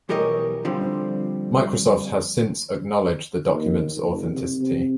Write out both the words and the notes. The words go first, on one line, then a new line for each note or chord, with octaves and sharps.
Microsoft has since acknowledged the documents' authenticity.
B1 E3 G4 A#4 C#5 D#5
D3 F3 G3 C4
D#2
F#1
C3
C3